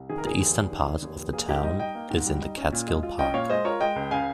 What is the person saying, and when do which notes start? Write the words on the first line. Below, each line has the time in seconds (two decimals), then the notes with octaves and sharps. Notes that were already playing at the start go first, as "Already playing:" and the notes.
The eastern part of the town is in the Catskill Park.
Already playing: C2
0.09 D#3 G#4
0.18 A#4
0.25 F1 G#4
0.40 D#2
0.56 F1
0.72 D#3
0.86 F1
1.02 D#2
1.17 F1
1.33 A#3 G#4
1.49 G#2 G4 A#4
1.64 G3 D#5 G5
1.79 D#4 D#5 G5
1.95 A#3
2.10 G#2
2.26 G3
2.41 D#4
2.57 C#4
2.72 A#2
2.87 G#3
3.03 F4
3.18 C#4 D#5 G5
3.34 A#2 C#5 F5
3.50 G#3 C5 D#5
3.65 F4 A#4 C#5
3.80 G#3 D#5 G5
3.96 C#2
4.11 C#3 F5 G#5